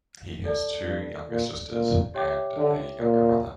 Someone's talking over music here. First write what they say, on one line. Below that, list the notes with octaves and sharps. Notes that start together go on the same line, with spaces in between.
He has two younger sisters and a younger brother.
A4 D5 A5
G2
A#2
A#2
G4 C#5 E5 G5 D6
D3
A#2